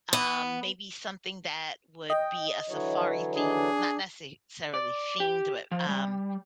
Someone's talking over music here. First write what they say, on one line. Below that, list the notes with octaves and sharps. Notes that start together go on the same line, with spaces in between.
um, maybe something that would be a safari theme not necessarily themed, but, um,
B3
D#5 G5
D3 E3 F#3 C#5
D4 G#4
D5
G4
F3
G3